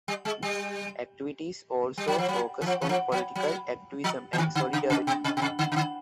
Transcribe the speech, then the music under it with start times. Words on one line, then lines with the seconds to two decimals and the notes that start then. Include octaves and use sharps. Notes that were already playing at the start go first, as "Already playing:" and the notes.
Activities also focused on political activism and solidarity.
0.08 G3
0.25 G#3
0.42 G3
1.98 G3
2.08 F#3
2.18 F3
2.29 F#3
2.62 E3
2.66 F3
2.82 E3
2.89 F3
3.12 F#3
3.36 F#3
4.04 F3
4.33 E3
4.38 D#3
4.55 D3
4.73 C#3
4.90 C3
5.07 B2
5.24 C3
5.37 B2
5.42 C3
5.59 D3
5.72 C#3
5.76 D3